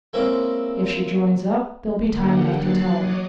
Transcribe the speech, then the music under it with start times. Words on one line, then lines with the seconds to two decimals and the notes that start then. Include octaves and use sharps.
If she joins up, there'll be time enough to tell her.
0.13 G#3 A#3 C4 C#4 E4
2.05 D3 A#3 G4 F#5
2.52 F#3 F#6 A6 C7
2.93 C#5 D#5 D6 D#6